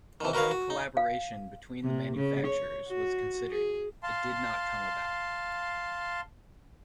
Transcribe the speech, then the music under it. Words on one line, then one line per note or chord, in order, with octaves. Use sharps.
Although collaboration between the manufacturers was considered, it did not come about.
D#3 E3
F#4 A#4 B4 C#5 F5
F#4
D#4
F5
C3
C#3
C#5
F#4
G#4
F5 A5 C6